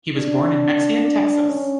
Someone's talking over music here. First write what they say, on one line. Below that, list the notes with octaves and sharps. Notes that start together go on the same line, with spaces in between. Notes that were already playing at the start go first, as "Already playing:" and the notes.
He was born in Mexia, Texas.
D4
C#4